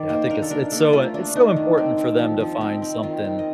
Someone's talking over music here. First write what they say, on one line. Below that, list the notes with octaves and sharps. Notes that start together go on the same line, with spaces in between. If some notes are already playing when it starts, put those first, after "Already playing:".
Yeah, I think it's it's so, uh, it's so important for them to find something
Already playing: D#3 D5
A#3 C5
D4 A#4
A4
D4 A#4
A#3 A4
A3 F4
D4
D4 D#4
D#3
C4
C4
F3
F3
C4 D#4
C4
D#3 F4
C4
D#5